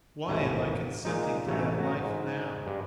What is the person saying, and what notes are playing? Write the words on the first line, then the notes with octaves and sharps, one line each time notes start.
Why am I consenting to that life now?
G#1 D#2 A2 E3
A#2 G#3 D#4
A1 C#3 F#3 A3 A4 C#5
F#4 A#5
G#2
G2